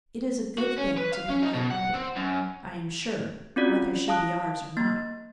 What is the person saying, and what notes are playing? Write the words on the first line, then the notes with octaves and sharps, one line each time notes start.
"It is a good thing to be light-hearted, I am sure, whether she be ours or not."
F#4
C#4
B4
F5
C#4
D#4
B2
F#5
C4
F#2
C4 C#4 F4 F#4 D5
F5 A5 D#6 F#6
A#3 A6